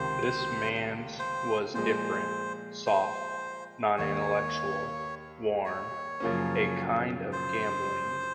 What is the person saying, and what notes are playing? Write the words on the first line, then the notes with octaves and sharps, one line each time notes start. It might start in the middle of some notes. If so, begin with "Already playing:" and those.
This man’s was different: soft, non-intellectual, warm, a kind of gambolling.
Already playing: C#2 C3 D#3 C5
C5
A#2 F3 G#3 C5
C5
D#2 D#3 A#3 C#5
C#5
F#2 C#3 F3 A#3 C#4
C5